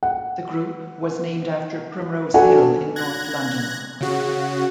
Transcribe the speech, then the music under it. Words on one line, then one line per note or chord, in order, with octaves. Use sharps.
The group was named after Primrose Hill in North London.
F#5
D4 F#4 A4 F#5 G#5
F#6 G#6 A#6
C#3 F#4